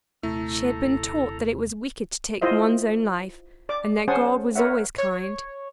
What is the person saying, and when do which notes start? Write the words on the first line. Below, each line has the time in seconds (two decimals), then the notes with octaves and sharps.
She had been taught that it was wicked to take one's own life, and that God was always kind.
0.23 D#1 C3 A3 E4 A4 A#5
2.42 E4 F4 C5 D#5 E5
3.69 D5 D6
4.08 C#4 C5 F#5 G#5 A5 D#6
4.55 A#4 B4 C#5 E5 F#5
4.98 C#5